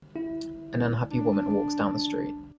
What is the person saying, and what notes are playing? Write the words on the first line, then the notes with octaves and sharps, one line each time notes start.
An unhappy woman walks down the street.
E4
D4